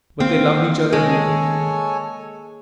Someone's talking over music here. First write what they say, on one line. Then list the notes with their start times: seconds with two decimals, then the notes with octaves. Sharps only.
But they loved each other deeply.
0.20 D#3 A#3 C4 F5
0.93 G#3 G#4 A4 C#5 G#5